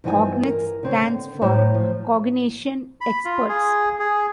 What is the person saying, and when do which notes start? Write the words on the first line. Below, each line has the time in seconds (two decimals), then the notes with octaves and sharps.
Cognex stands for Cognition Experts.
0.04 G2 E3 F3 B3 D#4 G#5
0.45 A#4
0.83 C#3 C4 C#5
1.01 D3
1.42 A2 F#3 C5
1.74 F3
3.01 B5
3.25 F4
3.49 G#4
3.99 G#4